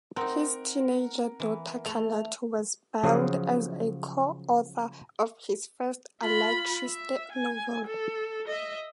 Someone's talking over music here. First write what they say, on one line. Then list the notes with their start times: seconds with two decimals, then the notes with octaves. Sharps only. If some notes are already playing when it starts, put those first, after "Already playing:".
His teenage daughter Carlota was billed as a co-author of his first Alatriste novel.
0.16 C4 D#4 A#4 F#5
1.40 E3
1.85 A3 F7
3.03 C#3 F3 F#3 G#4
6.20 F4 B5
6.87 E5
7.32 G#5
7.87 A4
8.48 D#5 E5